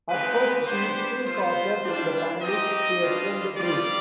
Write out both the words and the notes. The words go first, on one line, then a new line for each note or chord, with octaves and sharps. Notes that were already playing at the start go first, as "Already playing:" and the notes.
At first she is too caught up in the panic to explain the truth.
G#3 C4 D#4 G4 B4
B3 D4 G4 C5
B3 F4 C5
G3 D4 F4
C4 D#4 G4 D#5
G3 D4 F4
G3 C4 F4 D5